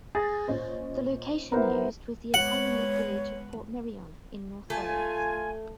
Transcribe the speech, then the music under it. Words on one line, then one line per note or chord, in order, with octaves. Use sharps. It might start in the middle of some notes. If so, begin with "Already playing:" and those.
The location used was the Italianate village of Portmeirion in North Wales.
G#4 A6 A#6
A#2 C#4 C5 D#5
B3 E4 A#4 C5 F#5 A#5
G#3 B3 C#5 F#5
A3 F4 G#5